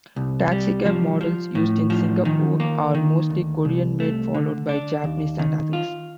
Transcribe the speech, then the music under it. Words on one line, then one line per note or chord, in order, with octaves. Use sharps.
Taxicab models used in Singapore are mostly Korean-made, followed by Japanese and others.
C2
G3
F3
F3
A2
F3
D#3
A#3
D#3
D2
C2
A3
D3
D4
D#2
D#3
F4